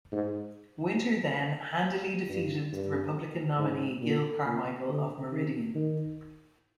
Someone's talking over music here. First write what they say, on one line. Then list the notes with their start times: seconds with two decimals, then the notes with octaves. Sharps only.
Winter then handily defeated the Republican nominee Gil Carmichael of Meridian.
0.13 G#2
2.30 G2
2.73 G2
3.58 G#2
4.02 A#2
4.45 A#2
4.89 D3
5.32 D#3
5.75 D#3